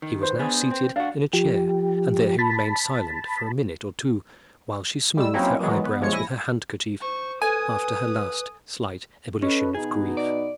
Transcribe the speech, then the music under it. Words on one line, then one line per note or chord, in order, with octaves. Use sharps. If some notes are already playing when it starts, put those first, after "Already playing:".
He was now seated in a chair, and there he remained silent for a minute or two, while she smoothed her eyebrows with her handkerchief after her last slight ebullition of grief.
D#3
B4 C5
B3 D4 G#4
C4
D4 F#4 F5
F3 G4
A5 B5
G3 G#3 E6
F#3 A#3 C4 C#4 D#4 E4
D#3 E3 F#3 G#3 B3
B3
G1 F3 G#3 C#5 C#7
A#1 E4 G#5 A#6
C5 C#6
A4 B4 C5 G#5 D#6
C#4 A4 B4 D#5
B2 B3 D#4 G#4
D5